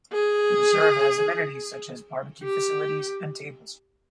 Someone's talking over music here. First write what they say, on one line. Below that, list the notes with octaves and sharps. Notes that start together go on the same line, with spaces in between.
The reserve has amenities such as barbecue facilities and tables.
G#4
G4